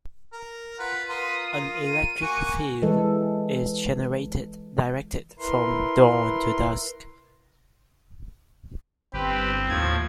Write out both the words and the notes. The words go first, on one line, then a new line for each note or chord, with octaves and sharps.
An electric field is generated, directed from dawn to dusk.
A#4
F4 B4 F#5
F4 A#4 B4 C6 D#6
A#4
D#7
A#3 F#4 G#5 C#6
E3 G#3 A4
E4 A#4 B4 C6
G1 C4 G4 B4
D#2 A2 F3 G#6